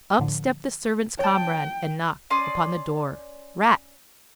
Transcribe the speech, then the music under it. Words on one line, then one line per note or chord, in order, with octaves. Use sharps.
Up stepped the servant's comrade and knocked upon the door--rap!
A2 D3 F3
C#5 G5 A5
C#4 D5 C6 D#6